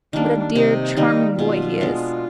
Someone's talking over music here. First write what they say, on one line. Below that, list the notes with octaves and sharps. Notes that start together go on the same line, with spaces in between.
"What a dear, charming boy he is!"
D#3 G3 A#3 D4
C3 D#4
D#3 G3 A#3 D#4
B2 F4
G#3 B3 D4